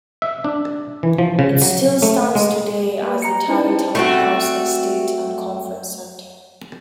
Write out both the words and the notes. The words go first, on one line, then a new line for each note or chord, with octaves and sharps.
It still stands today as the Tarrytown House Estate and Conference Center.
E5
D4
E3
F3
C#3
F#3
A3
G#3
A#3 B4
A#5 C#7
C#4 D#4 E4 B4 C5 A5
A3 C4 F#4